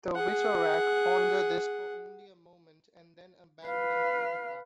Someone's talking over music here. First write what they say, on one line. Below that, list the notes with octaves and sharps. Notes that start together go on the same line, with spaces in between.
The Visorak ponder this for only a moment and then abandon Roodaka.
G#4 F#5
B4 F5